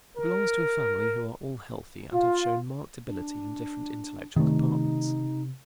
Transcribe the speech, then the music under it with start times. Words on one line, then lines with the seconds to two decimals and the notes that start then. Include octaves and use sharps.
He belongs to a family who are all healthy and have shown marked ability in different intellectual departments.
0.17 A#4
2.13 F4
3.07 D4
4.36 C3 D#3 A3 D#4